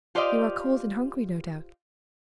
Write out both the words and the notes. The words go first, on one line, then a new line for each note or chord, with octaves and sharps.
You are cold and hungry, no doubt.
F4 G4 C5 D5 D#5 F5